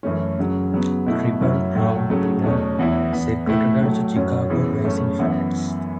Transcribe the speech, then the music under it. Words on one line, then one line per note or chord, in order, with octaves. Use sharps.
Triple Crown winner Secretariat to Chicago racing fans.
F#2 E3 A3 C#4
F#2 C#3 F#3
C#3 F#3 B3
B2 A3 E4
F#2 F#3 C#4 E4
A2 F#3 A3
C#3 F#3 A3
E2 B2 A3 C#4
E2 E3 B3 E4
E2 E3 B3
A2 A3 E4
A2 F#3 A3
F#2 F#3 C#4
C#3 E3 B3 E4
F#2 C#3 A3 C#4
F#2 E3 B3 E4